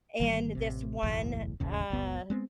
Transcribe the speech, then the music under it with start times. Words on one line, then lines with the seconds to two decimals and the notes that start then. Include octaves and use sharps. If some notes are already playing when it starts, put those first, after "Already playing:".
in this one, uh,
0.20 G1 D#3 G3 A#3
0.55 A1 C3
1.03 F#1 B1 E2 A2
1.60 E1 A1 D#2 C#3
1.90 F#1 C#2 B3
2.30 G#3 B3 C4